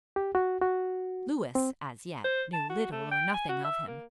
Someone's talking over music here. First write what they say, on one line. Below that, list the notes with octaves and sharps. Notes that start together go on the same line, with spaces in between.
Louis as yet knew little or nothing of him.
G4
F#4
F#4
C4
C5
A5
F#4
A3
G5
G#5
F#4
E5
A#3